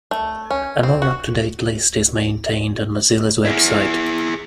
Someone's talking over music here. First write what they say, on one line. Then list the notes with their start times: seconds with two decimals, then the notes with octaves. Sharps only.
A more up-to-date list is maintained on Mozilla's web site.
0.11 A3
0.51 C#4
0.83 C4
1.02 F#4
3.45 E4 G#4